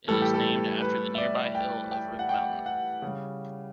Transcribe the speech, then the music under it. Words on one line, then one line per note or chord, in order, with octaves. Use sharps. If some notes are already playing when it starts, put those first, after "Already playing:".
It is named after the nearby hill of Rib Mountain.
A2 E3 G3 A4
G4
A4
B4
E5
D5
G5
G5
F#5
G5
F#5
C#3 G3